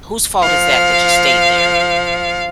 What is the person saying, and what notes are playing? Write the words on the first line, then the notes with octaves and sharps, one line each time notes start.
whose fault is that that you stayed there?
F3 F5